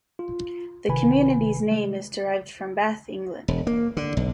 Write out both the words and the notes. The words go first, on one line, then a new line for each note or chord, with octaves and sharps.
The community's name is derived from Bath, England.
F4
G1 C3 D#3 B4 G#5 B5
G#3
E1
A#3
D3
B1